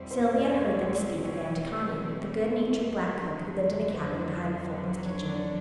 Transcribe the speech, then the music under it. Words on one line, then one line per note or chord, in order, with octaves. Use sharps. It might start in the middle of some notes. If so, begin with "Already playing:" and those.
Sylvia heard them speak of Aunt Connie, the good-natured black cook, who lived in a cabin behind the Fultons' kitchen.
Already playing: E2 B2 G3 C4 E4 C5
C5
D5
C#5
C5
C#5
C#5
F2 D3 F#3
C5
C5
C#5
D5